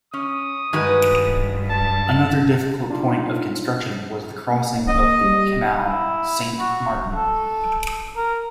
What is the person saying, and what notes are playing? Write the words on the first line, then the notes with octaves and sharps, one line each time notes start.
Another difficult point of construction was the crossing of the Canal Saint-Martin.
C#4 D#6
G2 D#3 G#3 F#4 B4 G#5
A5
D4 D#4 F4
A#3
D#5
G3
E4
F#4
A4
A#4